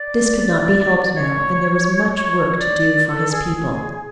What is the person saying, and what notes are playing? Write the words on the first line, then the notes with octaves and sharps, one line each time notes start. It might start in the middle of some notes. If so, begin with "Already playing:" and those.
But this could not be helped now, and there was much work to do for his people.
Already playing: D5
C#5
C#5
D5
A4
G#4